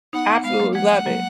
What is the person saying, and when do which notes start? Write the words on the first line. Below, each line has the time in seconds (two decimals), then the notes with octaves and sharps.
Absolutely love it,
0.13 B3 D#4 F#5
0.29 B3 D#4
0.44 G#3 B3 F5
0.60 F#3 A#3
0.75 F3 G#3 F#5
1.06 F#3 A#3